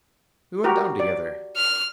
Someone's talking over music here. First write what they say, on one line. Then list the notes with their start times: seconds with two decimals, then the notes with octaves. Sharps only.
We went down together.
0.64 F#4 G4 A#4
1.00 D5
1.56 F6